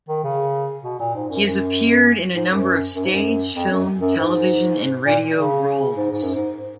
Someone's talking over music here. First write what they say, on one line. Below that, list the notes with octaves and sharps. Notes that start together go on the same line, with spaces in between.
He has appeared in a number of stage, film, television and radio roles.
D#3
C#3
B2
A#2
G#2
F#2
F#2
G#2
F#2
F#2
G#2
F#2
F2
F#2
F#2
G#2
A#2
C#3
G#2
G#2
F#2
G#2